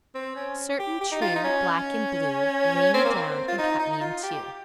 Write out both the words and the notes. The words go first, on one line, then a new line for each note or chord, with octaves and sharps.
Certain, true, Black and blue, Lay me down and cut me in two.
C4
C#4
G4
G4
D#4
F4
D#4
C#4
C4
A#3
C4
F4
D#4
D#4
D#4
F4
G4